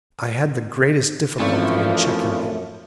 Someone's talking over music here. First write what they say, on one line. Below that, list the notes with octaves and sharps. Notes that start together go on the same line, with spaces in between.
I had the greatest difficulty in checking him.
G#1 F#2 E3 F3 A3